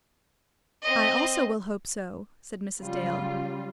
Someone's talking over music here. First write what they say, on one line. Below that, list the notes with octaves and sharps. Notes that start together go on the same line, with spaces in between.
"I also will hope so," said Mrs. Dale.
C4 D#5
C#3 F#3 G3 F4